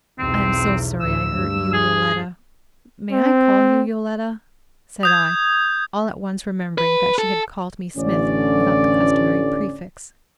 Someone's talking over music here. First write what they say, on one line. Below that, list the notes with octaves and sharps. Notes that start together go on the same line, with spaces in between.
"I am so sorry I hurt you, Yoletta--may I call you Yoletta?" said I, all at once remembering that she had called me Smith, without the customary prefix.
B1 E2 C4
D2 A2 E6
G2
G#4
C4
D#6 G6 G#6
B4
A4
A1 D3 C#4 D5